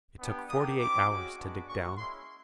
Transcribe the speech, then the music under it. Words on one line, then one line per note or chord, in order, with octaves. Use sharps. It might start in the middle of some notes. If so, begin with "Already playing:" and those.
It took forty-eight hours to dig down.
B3 D4 G4
G3 A#3 D4 G4 D#6
C4 E4 G4 D6
G#3 C#4 F#4
G#3 B3 D4 F#4
A#3 C#4 F#4 C#6
G#3 C#4 E4 C6